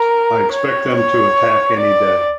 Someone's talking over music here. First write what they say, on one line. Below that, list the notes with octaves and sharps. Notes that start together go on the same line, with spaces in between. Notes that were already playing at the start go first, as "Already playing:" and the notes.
I expect them to attack any day.
Already playing: A#4
C#5
C#5
D5